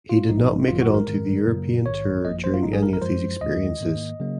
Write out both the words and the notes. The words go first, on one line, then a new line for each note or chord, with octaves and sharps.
He did not make it onto the European Tour during any of these experiences.
F4
A#1 G#2 F3 D#4
G#1 F#2 D#3 F#3 F4
F#4
A#4
G#2 D#3 G#3
F#2 C#3 F#3 A#3
A#1 G#2 D#3 C#5
G#1 F#2 F3 A#3 D#5
C5
F4
G#1 G#2 F#3 D#4
G#4
A#4
A#4
F#2 F3 G#3 C5
D#2 D#3 G#3 D#5
G#2 D#3 A#3
C#3 F#3 A#3